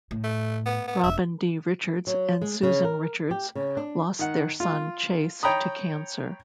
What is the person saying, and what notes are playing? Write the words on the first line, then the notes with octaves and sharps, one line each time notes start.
Robin D. Richards and Susan Richards lost their son Chase to cancer.
A2
A3
B3
B3
E1 E5
F#3
G#3
C#3
A#4
G4
C#3
D4
D#3 F#5
F4
C#5 G5 A#5 B5 D#6